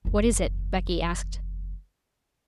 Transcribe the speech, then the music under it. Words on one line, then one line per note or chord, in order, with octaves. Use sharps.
'What is it?' Becky asked.
F#1 E2